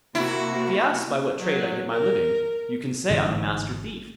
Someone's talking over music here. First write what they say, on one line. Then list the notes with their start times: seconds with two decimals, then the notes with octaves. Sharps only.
'If he asks by what trade I get my living, you can say I'm a Master Thief.'
0.15 C3 A#3 E4 F#4
1.38 F#3
1.90 A#4
3.10 G#1 G#2 D3 E3